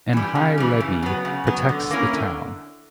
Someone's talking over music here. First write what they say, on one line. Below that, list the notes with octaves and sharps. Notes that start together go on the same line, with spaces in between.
An high levee protects the town.
E3 G3
C#3
E3 G3
C#3
F#3 B3
C#3
F#3 B3
D3
A#3 C#4 E4 A#4
D3